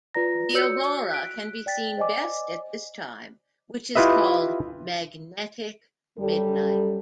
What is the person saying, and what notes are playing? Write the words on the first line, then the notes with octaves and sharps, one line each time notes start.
The aurora can be seen best at this time, which is called magnetic midnight.
F4 B4 D5 A#5 A#6
F#4 C#5 D5 E6 G6 C#7
F#6 B6 D7
D5 G5 A6 B6
C5 D5 D#5 G#5 D6
E4 F4 G4 B4 D#5 E5
F#2 G3 A4